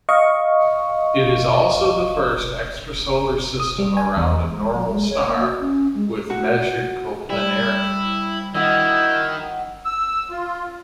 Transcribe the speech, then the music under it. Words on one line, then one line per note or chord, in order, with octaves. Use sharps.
It is also the first extrasolar system around a normal star with measured coplanarity.
D#5 F5 C#6
D#6
G3
G#5
E2
G#3
F#3
G#3
C#5
A#3
F#4
C#4
G#3
F#4
G3 E4
D#3 E4 F#4 D#5
E6
F4